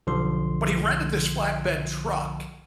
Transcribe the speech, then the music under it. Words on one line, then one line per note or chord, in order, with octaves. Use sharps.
but he rented this flatbed truck
B1 D3 F3 C6